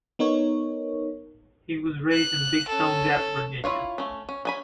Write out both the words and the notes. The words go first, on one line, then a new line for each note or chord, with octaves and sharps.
He was raised in Big Stone Gap, Virginia.
B3 D#4 A#4 C#5
F#6
C#4 A4
E4 F4 C#5 F5
A3 C#4
C#4
C#4 G#5 B5